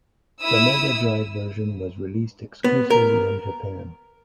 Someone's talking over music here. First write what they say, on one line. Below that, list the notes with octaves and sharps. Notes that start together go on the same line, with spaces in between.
The Mega Drive version was released exclusively in Japan.
E4 D#6 E6
B3
A#4